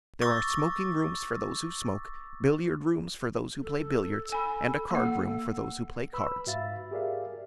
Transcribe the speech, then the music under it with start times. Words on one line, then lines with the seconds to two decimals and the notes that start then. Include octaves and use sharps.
There are smoking-rooms for those who smoke, billiard- rooms for those who play billiards, and a card-room for those who play cards.
0.21 C#6 D6 E6 A6 A#6
3.62 A4
4.32 G#5 B5
4.91 A#3 A4 F#5
6.13 B4 B5 E6
6.46 G#2 F#4 E5 F5 A6
6.91 G4 G#4 A#4 D5 E5 F5